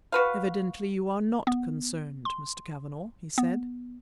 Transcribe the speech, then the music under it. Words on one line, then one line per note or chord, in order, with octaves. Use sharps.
"Evidently you are not concerned, Mr. Cavanagh," he said.
F#4 B4 F5
B3
C6
B3